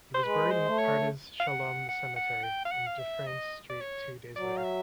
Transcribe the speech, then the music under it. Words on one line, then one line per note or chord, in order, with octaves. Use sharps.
He was buried in Pardes Shalom Cemetery on Dufferin Street two days later.
C5
G#3 B4
C5
A3
C#5
F5
F#5
F#5
F#5
G5
F5
F#5
F5
E5
D#5
D5
C#5
F#3 D5
F5
E5